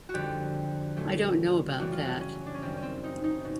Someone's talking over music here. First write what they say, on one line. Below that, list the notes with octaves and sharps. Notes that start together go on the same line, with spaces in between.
I don't know about that.
F#4
F2 D3 G3 G4
A#2 F#3 A3
F#2 C#3 E3 G3 F#4
F4
F#4
C#4
D4
C#4
F#2 D#3 G3 C4
C#4
C4
D#4
D#4
B2